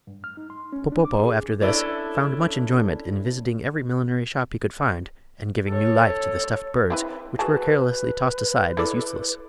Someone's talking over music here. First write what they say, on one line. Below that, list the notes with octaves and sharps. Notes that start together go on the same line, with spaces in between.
Popopo after this found much enjoyment in visiting every millinery shop he could find and giving new life to the stuffed birds which were carelessly tossed aside as useless.
G2
F6
D#4
C6
C#4
D4
D6
G#4
C#4 D4 E4 A4
A4 C#5
C4 E4 B4
F#3 G#4 B4 A5
E4 A4 D5